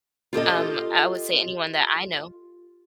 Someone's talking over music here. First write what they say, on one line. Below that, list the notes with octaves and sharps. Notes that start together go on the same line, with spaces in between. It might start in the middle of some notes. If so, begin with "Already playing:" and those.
Um, I would say anyone that I know.
F4 G4 A4 D#5